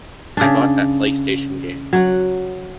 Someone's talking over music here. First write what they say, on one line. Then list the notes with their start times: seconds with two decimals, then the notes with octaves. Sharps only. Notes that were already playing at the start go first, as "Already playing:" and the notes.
I bought that PlayStation game.
0.37 C#3 D4
1.93 F#3 F#5